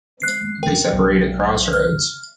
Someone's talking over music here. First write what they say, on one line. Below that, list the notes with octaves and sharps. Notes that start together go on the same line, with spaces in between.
They separate at crossroads.
F#6 C7
A#4 G5
B1
F6